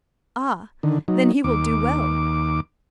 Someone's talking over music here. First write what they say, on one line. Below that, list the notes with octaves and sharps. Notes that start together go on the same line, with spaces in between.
"Ah! then he will do well."
D3 D#3
F#3 D#4
D#2 D6